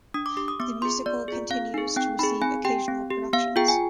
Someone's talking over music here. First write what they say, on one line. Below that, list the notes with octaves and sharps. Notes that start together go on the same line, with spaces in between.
The musical continues to receive occasional productions.
D4 D#6
D6
G4 D6
D#6
B3 D6
F4 G#4 C6
B3 D5
F4 G#4
C4 F5
D#4 G#4
C4 G5
D#4 G#4 B5
C4 G#5
G4 G5
C4
G4
B3 F5
F4 G#4 G5
G#5